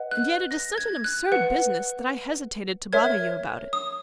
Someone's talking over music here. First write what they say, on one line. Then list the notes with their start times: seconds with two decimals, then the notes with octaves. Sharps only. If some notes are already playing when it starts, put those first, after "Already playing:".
And yet it is such an absurd business, that I hesitated to bother you about it.
Already playing: B4 D#5 F#5
0.11 F#6
0.51 A#6
0.78 G#6
1.04 F#6
1.32 B4 F#5
2.93 A#4 C#5 E5 G#6
3.73 D#6